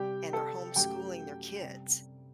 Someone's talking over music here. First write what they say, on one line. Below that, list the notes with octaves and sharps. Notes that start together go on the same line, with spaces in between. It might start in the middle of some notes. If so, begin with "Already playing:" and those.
and they're homeschooling their kids.
Already playing: C3 G3 G4 G5
A4 A5
F#2 F#3 A3 G4 G5
C3 G3